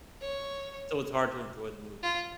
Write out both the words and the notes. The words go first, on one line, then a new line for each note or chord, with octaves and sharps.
Uh, so, it's hard to enjoy the movie.
C#5
F4